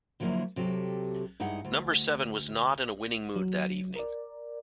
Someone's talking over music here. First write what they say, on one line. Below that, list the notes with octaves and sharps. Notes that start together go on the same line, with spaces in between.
Number seven was not in a winning mood that evening.
D3 F3 F#3 G#3 A#3 E4
C3 F#3 G4 A4
G2 G#3 D#4 E4 F#5
D2
F#3
A#4 D5